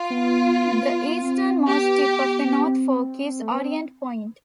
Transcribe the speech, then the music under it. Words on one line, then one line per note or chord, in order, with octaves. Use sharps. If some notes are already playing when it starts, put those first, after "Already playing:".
The easternmost tip of the North Fork is Orient Point.
Already playing: F4
B3
C4
B3 G4
C4
A3
B3
C4